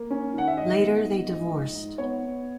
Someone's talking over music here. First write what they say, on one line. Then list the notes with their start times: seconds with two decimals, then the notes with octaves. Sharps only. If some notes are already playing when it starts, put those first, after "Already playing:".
Later they divorced.
Already playing: A#3
0.10 C#4
0.34 D#3 F#5
0.48 E5
0.57 G#2 D#5
0.81 B3
1.05 G#2
1.28 A#1
1.52 G#2
1.75 G#2
1.98 B3 C#5
2.22 B3